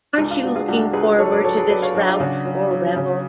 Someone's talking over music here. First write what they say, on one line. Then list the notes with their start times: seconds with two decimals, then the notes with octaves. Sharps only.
Aren't you looking forward to this rout or revel?
0.18 C#2 D4
0.31 F4
0.43 C#2 D4 F#4
0.55 F4 G#4
0.68 C#2 D4 F#4
0.93 C#2 G#4 B4
1.19 F#3 A4 C#5
1.32 B4 D5
1.44 F#3 A4 C#5
1.57 G#4 B4
1.69 F#3 B4 D5
1.82 C#5 F5
1.95 F#3 D4 F#4
2.07 F4
2.20 C#3 D4 F#4
2.45 F#3
2.71 F#3
2.96 C#3